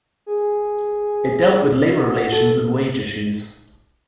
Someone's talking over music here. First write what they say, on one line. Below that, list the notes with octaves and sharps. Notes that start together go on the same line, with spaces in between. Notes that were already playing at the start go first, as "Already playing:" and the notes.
It dealt with labour relations and wage issues.
G#4
F#4
F#4
A4